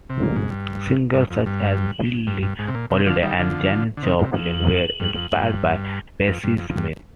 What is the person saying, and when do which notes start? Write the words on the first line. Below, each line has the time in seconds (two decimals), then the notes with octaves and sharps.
Singers such as Billie Holiday and Janis Joplin were inspired by Bessie Smith.
0.09 C3
0.23 A#2
0.36 G#2
0.50 G2
1.14 G2
1.31 F2
1.46 G2
2.27 G2
2.42 G2
2.59 G#2
2.68 C3
2.75 A#2
2.90 C3
3.06 D3 F3
3.23 D#3 G3
3.39 D3 F3
3.97 D3
4.03 C3 D#3
4.19 C3
4.35 F2
5.00 G2
5.15 F2
5.32 G2
6.27 F2
6.43 G2
6.59 F2
6.70 F2
6.76 G2